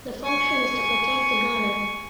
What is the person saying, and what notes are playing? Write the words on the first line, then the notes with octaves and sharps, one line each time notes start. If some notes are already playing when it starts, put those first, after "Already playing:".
The function is to protect the gunner.
G#5 C#6